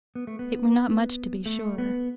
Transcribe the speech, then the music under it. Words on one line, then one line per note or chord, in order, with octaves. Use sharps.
It were not much to be sure.
B3
A3
B3
A3
B3